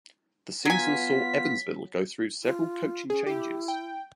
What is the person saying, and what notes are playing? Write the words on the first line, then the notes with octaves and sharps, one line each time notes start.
The season saw Evansville go through several coaching changes.
F#3 B3 F4 G#5 B6
F4
C#4 G#4
E4 G4
G5